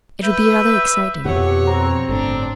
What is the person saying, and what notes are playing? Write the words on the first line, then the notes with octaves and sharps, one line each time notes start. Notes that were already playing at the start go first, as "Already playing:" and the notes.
"It would be rather exciting."
B4 E5 G6
F2 B2 C4 G4 C#5 F#5
C4 A#5
G1 A2 D4